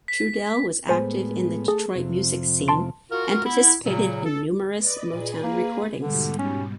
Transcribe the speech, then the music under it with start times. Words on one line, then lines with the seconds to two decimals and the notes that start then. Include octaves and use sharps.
Trudell was active in the Detroit music scene and participated in numerous Motown recordings.
0.08 B6
0.89 A2 G#3 B3 C5 G#5
1.68 A3 G#4 A4
1.96 F2 C3
2.68 A5 C6 D7
3.12 F4 F#4 A#4
3.44 B3 E4
3.85 A#2 C#3 F#3
4.25 A4
4.78 B4 D5 D#5
5.12 A#2 G#4 B4
5.43 A#3
6.02 G#2 B2 D3 G3
6.39 C#4